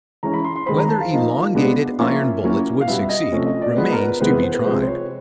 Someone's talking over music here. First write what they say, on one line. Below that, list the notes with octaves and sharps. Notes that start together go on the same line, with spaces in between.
Whether elongated iron bullets would succeed, remains to be Tried.
E3 G#3 C#4 A#5
B5
C6
C6
D#3 G#3 C4 B5
A#5
A5
F5
F3 A#3 D#4
B2 G#3 B3 D4
F3 A#3 C#4 F4 E5
F#3 A#3 C#4 E4
F5
B2 G3 B3 E5
D#5
C3 F3 A3 C#4
D#5
D5
B4
F3 G#3 B3 C5
A#4
B4
C3 E3 G#3 B3 C5
B4
C5
B4
C3 F3 G#3 C5
C5
C#5